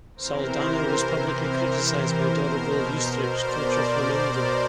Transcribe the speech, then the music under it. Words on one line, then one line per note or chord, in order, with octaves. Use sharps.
Saldanha was publicly criticised by Dorival Yustrich, coach of Flamengo.
C3 E3 A#4 C5
A#4 C5
B2
C5 D5